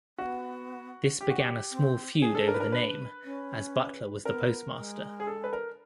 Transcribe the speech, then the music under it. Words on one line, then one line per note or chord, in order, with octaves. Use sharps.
This began a small feud over the name, as Butler was the postmaster.
B3 F#4
G4
F#4
G4
C4
D4 G#4
A4
A#4
B4
A#4
B4
C#4
B3 C4 A#4
G#3
G#4
A4
B4
A#4